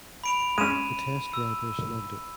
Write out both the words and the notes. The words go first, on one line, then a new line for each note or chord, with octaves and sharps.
The test drivers loved it.
B5 D7 F7
G#3 C#4 D#7 E7
E6